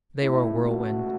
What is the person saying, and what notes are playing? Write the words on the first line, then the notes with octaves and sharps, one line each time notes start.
They were a whirlwind.
C#2 B2 A3 E4
F#4